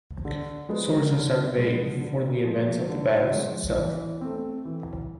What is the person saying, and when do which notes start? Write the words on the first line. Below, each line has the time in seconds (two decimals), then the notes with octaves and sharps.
Sources are vague for the events of the battle itself.
0.25 D3
0.69 F3 G#3 B3
1.13 D3
1.58 F3 G#3 B3
2.01 D3
2.45 F3 G#3
2.89 D3
3.33 F3 G#3
3.77 E3
4.21 A3 C4
4.65 E3